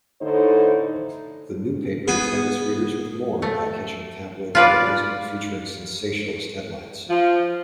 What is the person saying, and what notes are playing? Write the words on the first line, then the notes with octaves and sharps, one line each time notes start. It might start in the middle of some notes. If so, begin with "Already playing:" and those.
"The New Paper" targets readers with more eye-catching tabloid journalism featuring sensationalist headlines.
A2 D3 D#4 C5
B3 G#4
A3
F4 B4 D5
F3